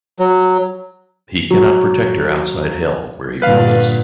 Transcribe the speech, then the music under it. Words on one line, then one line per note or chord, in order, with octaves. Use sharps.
He cannot protect her outside Hell, where he rules.
F#3
F#3
G2 A#2 D3 B4 F5